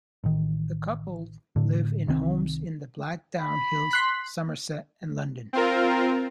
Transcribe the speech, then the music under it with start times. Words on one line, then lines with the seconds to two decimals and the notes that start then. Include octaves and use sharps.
The couple live in homes in the Blackdown Hills, Somerset and London.
0.24 A1 D#3
1.56 A2 D3
2.07 C2 D#3 F#3 C4
3.41 B5
3.91 C6 F#6 B6
5.53 C4 F4 A#4